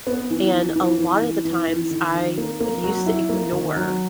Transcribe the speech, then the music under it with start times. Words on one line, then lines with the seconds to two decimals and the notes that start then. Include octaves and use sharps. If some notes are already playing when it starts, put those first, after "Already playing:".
and a lotta the times, I used to ignore
0.07 B3
0.31 E3
0.53 E3
0.76 E3
0.99 E3
1.22 E3
1.45 E3
1.68 E3
1.91 D#3
2.15 D#3
2.38 A#3
2.61 A#3
2.84 F#3
3.06 E4
3.29 A#3
3.52 D#3
3.77 F#3